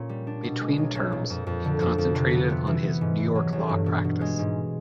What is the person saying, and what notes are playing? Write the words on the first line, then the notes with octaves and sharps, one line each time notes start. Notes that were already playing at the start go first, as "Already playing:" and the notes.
Between terms, he concentrated on his New York law practice.
Already playing: A#2 C#4
G3
D4
B2
G#3
B1
B1
A#2
F2
F2
D3
F2
F2
C3
B3
C3
E3
B3
G#2
E3
F#3
A1
G2
B2
B2
G#3
G#2